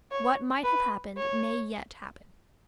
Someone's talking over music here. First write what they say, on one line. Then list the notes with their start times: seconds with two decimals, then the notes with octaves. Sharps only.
What might have happened may yet happen.
0.11 C#5
0.64 B4
1.17 C#5